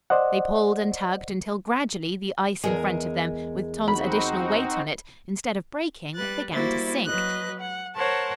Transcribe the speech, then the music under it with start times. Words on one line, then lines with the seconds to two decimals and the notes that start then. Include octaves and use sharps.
They pulled and tugged until gradually the ice in front of them, with Tom's additional weight on it, instead of breaking began to sink.
0.10 C5 D5 D#5 F#5
2.64 E2 G#3 A#4 G#5
3.88 C4 D#4 F#4 B5
6.15 G3 B4 F#6 A6
6.51 G3 A#3 E4 F#4 C5 A6
7.06 F#3 B4 D#5 F#6
7.59 F#5
7.96 A#4 C5 C#5 F#5 A5